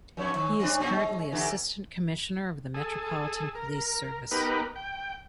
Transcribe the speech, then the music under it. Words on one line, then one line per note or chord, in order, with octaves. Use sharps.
He is currently Assistant Commissioner of the Metropolitan Police Service.
F2 C#5
D#3
G3 C4 D4
A#2 D4
G#3
B2 D3 E3
G#4 A4
A#4
B3 D#4 G4 A#4 B4
G5